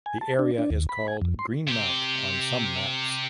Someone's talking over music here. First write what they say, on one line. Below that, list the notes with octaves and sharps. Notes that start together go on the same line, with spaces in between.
The area is called Greenmount on some maps.
G#5
A5
D4
D4
D#2
B5
G#5
F2
C6
C3 G4